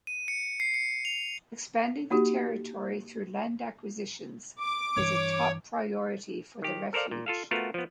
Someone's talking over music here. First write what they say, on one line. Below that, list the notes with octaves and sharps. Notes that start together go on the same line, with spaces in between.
Expanding the territory through land acquisitions is a top priority for the refuge.
D#7
C#7
C7
C#7
F7
A#3 D#4 F#4 G4
D6
G2 E3 C#5
D#3 G4
A4 A#4 C5 D5 F5
A#2
F4 A4 F5
A3 B3 F4 F#4 A#4
F3 B3